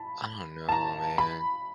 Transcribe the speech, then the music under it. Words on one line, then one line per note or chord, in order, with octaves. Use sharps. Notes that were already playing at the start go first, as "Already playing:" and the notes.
I don't know, man.
Already playing: A5 B5
A5
A#5
B5